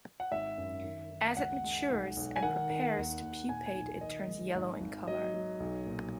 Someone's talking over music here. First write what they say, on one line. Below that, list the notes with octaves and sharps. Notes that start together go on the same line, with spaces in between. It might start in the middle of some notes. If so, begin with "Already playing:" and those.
As it matures and prepares to pupate it turns yellow in color.
F#5
G#1 E5
F#2
D#3
D#3
C#2 F#5
G#3
B1
B1
G#5
D#3 F#5
D#3
D#2
D#2
A#2 G#5
G#5
B1
D#3 D#5
G#3
G#1
G#1
F#3 D#5
F#3
B1
A#2